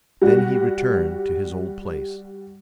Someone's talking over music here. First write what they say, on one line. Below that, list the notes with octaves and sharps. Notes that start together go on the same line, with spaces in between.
Then he returned to his old place.
G3 F#4